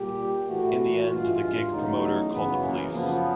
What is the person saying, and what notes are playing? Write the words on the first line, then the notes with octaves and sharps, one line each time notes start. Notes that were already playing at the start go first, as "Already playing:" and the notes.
In the end, the gig promoter called the police.
Already playing: A#2 G3 G4
A2 E3 A3 F#4
G2 E3 G#3 F4
E2 C#3 F#3 A3 D#4
F#2 C#3 E3 B3
A#3
F#2 C#3 F3 B3